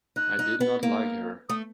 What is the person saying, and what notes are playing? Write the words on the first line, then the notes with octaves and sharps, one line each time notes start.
I did not like her.
D#4 F#6
D#4
B3
A#3
A3 D#6